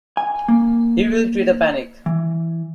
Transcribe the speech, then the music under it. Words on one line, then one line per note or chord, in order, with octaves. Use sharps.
He will create a panic.
G#5
A#3
E3